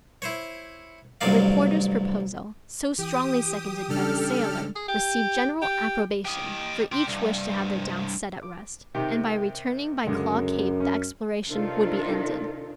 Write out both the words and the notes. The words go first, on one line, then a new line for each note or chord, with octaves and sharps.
The reporter's proposal, so strongly seconded by the sailor, received general approbation, for each wished to have their doubts set at rest, and by returning by Claw Cape the exploration would be ended.
E4 C5 C#5
A1 G2 C3 F#3 D5 F5
E3 G4 D#6
C#3 G3 D4 G4 A4 F6
G#4
G4
G4
G4 D#5
G4 C5
C2 G2
D6
C3 D#3 G4
C#2 F#2 D3 G#3
C#4
C3 D#3 D4 D#4 F4 A4